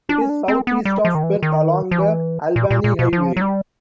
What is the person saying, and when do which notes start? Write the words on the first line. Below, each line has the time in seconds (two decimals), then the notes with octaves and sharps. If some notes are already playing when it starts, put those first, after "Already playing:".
It is southeast of Perth along the Albany Highway.
0.09 D4
0.21 C#4
0.29 D4
0.48 C4
0.67 B3
0.85 G3
1.05 F3
1.15 D#3
1.23 E3
1.43 D#3
1.91 F3
1.99 E3
2.56 A#2
2.70 A#2
2.84 A#2
2.99 B2
3.13 F3
3.37 F#3
3.41 G3